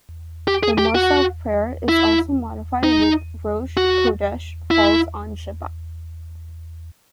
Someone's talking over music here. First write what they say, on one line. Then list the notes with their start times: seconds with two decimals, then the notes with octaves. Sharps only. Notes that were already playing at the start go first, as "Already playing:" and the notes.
The "Mussaf" prayer is also modified when Rosh Chodesh falls on Shabbat.
0.48 G4
0.63 G#4
0.79 G4
0.95 F#4
1.89 E4
2.83 D#4
3.77 F#4
4.71 E4